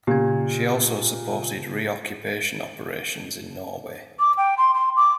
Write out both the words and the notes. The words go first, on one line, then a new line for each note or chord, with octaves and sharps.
She also supported re-occupation operations in Norway.
A#2 C#3 G4 G#6
D6
G5
C6
C6
D6